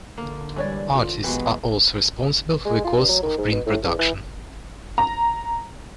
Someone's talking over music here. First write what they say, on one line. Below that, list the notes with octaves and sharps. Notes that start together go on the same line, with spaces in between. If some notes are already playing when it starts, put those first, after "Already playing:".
Artists are also responsible for the costs of print production.
D3 A#3
E3 G3 G#3 C#5 D5
F4
C2 A#2 E3 F#3 G#3 B3 G4
G#3
F4
G2
F#3
D#3
G#2
B2
A2
E2
E3
A#5